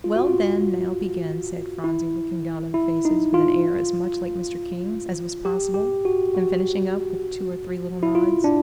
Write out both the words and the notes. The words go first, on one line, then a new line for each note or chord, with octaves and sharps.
"Well, then, now begin," said Phronsie, looking down on the faces with an air as much like Mr. King's as was possible, and finishing up with two or three little nods.
F4
F#4
F4
E4
E4
D#4
F4
G4
G4
F#4
F#4
E4
F4
D4